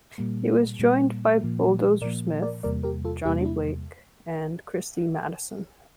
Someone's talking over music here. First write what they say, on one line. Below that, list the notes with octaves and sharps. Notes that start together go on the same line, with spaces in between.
He was joined by Bulldozer Smith, Johnny Blake, and Christie Madison.
A#2 G3 A#3
A#2 G3 A#3
A#2 F3 A#3
A#2 F3 A#3 A#4 D5
A#4 D5
E2 C3 G3 A#3 A#4 D5
G4 A#4
F4 A4
E2 C3 G3 A#3 E4 G4
D4
E4